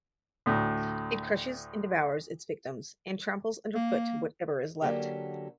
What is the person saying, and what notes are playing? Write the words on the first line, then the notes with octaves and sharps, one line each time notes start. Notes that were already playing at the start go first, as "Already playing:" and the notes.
It crushes and devours its victims, and tramples underfoot whatever is left.
D2 A2
A#3
D3 F#3 A#3 C#4 G4 A4